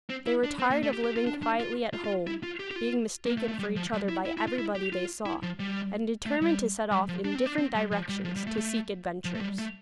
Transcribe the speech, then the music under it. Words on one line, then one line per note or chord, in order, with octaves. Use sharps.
They were tired of living quietly at home, being mistaken for each other by everybody they saw, and determined to set off in different directions, to seek adventures.
C4
E4
D4
C4
A#3
A3
G4
G4
F4
D4
D4
F4
F4
F4
E4
F4
G4
G4
F4
A#3
A3
A3
G3
F3
G3
E4
E4
E4
F4
E4
G4
F4
E4
F3
G3
A3
G3
G3
F3
D4
C4
D4
C4
G3
F3
G3
F3
G3
A3
A3
F3
A3
G3
A3